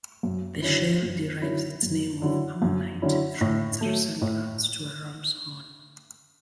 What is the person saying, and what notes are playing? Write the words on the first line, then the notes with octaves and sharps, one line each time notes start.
The shell derives its name of ammonite from its resemblance to a ram's horn.
F#2
D3 F#3 C#4 E4
F#2
D3 F#3 C#4 E4
F#2
D3 F#3 C#4 E4
F#2
D3 F#3 C#4 E4
A2
F#3 A3
A2